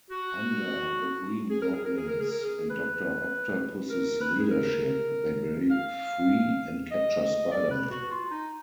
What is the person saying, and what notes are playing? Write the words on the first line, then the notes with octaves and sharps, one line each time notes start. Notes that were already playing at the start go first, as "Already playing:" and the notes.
Under the Green Goblin's and Doctor Octopus's leadership, they break free and capture Spider-Man.
F#4
G#4
A#4
G#4
A#4
G#4
A#4
G#4
A#4
G#4
B4
A#4
B4
G#4
A#4
F5
D#5
D#5
D5
B4
F#4
F4
D#4